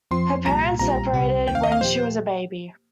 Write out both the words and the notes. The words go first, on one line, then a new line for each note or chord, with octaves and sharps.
Her parents separated when she was a baby.
F2 F3 C4 C6
C2 A#2 G3 A#5
A#1 A#2 G3 C4 F4 A#5
C2 C3 G3 C4 G4
D#2 D#3 C4 G5
F5
D#5
F5
A#2 F3 A#3 G4 C5